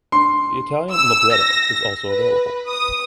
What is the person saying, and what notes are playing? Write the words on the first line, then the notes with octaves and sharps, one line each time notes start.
The Italian libretto is also available.
C6
E6
A#6
B4
D#6